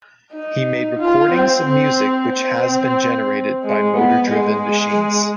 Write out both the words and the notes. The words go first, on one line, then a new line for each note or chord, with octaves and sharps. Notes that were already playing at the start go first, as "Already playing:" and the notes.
He made recordings of music which has been generated by motor-driven machines.
D#4
F4
C4
C4
C4
G#3
B3
G#3